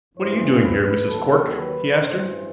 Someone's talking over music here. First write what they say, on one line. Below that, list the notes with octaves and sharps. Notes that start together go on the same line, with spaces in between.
"What are you doing here, Mrs. Cork?" he asked her.
A1 G2 E3 C5
B4
D#2 D#3 F#3 A4
B4
A1 G2 E3 C5